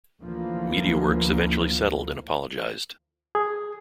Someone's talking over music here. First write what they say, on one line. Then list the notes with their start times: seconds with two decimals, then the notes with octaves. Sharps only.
Mediaworks eventually settled and apologised.
0.20 D2 D3 E3 F3 A#3
3.35 G#4